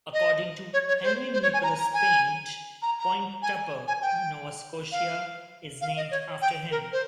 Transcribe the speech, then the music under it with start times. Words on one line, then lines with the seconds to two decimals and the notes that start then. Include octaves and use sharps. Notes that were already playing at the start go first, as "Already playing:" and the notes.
According to Henry Nicholas Paint, Point Tupper, Nova Scotia is named after him.
0.13 D#5
0.73 C#5
0.88 C#5
1.03 C5
1.33 C5
1.43 C#5
1.54 G#5
1.63 A#5
1.79 A#5
1.94 G#5
2.82 A#5
2.99 A#5
3.42 G#5
3.88 G#5
4.02 G5
4.92 F5
5.81 F5
5.97 D#5
6.11 C#5
6.42 G5
6.71 A#4
6.93 C5